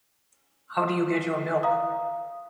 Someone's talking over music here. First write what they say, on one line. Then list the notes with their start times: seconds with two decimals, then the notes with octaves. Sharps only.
How do you get your milk?
1.63 F5 A#5 D#6